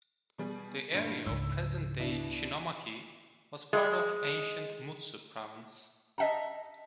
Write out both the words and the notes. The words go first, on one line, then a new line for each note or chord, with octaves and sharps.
The area of present-day Ishinomaki was part of ancient Mutsu Province.
B2 G3 G#4
G2 A#2 D3
C#2 G#2 E6
B2 D4 E4
G#3
D#5 E5 F#5 A5 A#5